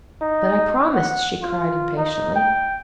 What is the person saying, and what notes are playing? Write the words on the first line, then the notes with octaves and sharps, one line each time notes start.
"But I promised!" she cried, impatiently.
D#4
F#5
F4
D#4
G5